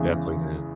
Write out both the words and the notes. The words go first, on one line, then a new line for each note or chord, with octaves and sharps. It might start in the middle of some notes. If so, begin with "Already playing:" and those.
Definitely, man.
Already playing: E2 C#3 E3 G#3